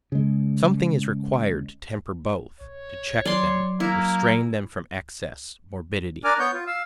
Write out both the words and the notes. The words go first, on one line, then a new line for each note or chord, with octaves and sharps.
Something is required to temper both--to check them, restrain them from excess, morbidity.
C#3 G#3
A#1 C#5
F#3 D5 C6
A#3 E4
D4 A#4 D5 G#5 D6 F6
B3 C#5 C#6 G6
F4
F5 E6